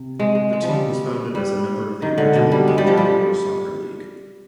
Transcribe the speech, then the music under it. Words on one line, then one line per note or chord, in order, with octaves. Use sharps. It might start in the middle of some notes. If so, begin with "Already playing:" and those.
The team was founded as a member of the original Major Indoor Soccer League.
Already playing: C3
G#3
G#3
G#3
F3
G3
G3
D#3
D3
B2
G3
G#3
G3
F3
G3